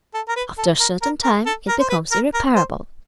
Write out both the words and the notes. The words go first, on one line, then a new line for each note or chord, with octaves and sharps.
After a certain time it becomes irreparable.
A4
A#4
B4
A4
A#4
A#4
A#4
A4
A#4
C5
B4
A#4
A#4
C5